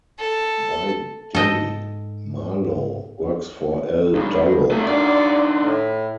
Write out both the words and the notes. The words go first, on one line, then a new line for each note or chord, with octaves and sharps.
By day Marlo works for L. Dullo.
A4
G#2 A4 D#5 G5
C#2 G2
C3 A3
D#3 A#3 D4 F#4 D5
A2